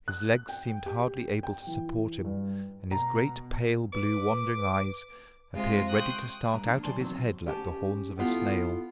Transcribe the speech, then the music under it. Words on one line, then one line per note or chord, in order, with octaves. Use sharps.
His legs seemed hardly able to support him, and his great pale blue wandering eyes appeared ready to start out of his head like the horns of a snail.
F#6
G5
G4
G5
E3
G2
B2 A#5
B4 D6
C3 G#3 F4 C5
G5 C6 C#6 D#6 F#6
G2 A#5
F3 A#3 D4
D#2 F#3 D5 G#5 A5 C6
B2 D#3 F#3 G3 C4
C#4 G4 G#5 A5
B3 E4 F4 G4 A4